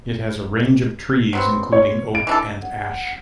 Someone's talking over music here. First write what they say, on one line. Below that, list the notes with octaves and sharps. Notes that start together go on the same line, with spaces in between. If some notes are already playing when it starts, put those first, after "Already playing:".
It has a range of trees including oak and ash.
F#3 B3 C4
C#5
D7
E3 D4 A4
F#5